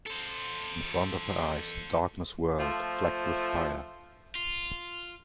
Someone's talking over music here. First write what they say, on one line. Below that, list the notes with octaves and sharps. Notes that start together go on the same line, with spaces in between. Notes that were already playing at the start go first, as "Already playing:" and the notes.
In front of her eyes the darkness whirled, flecked with fire.
A4 C5
F3 A3
F4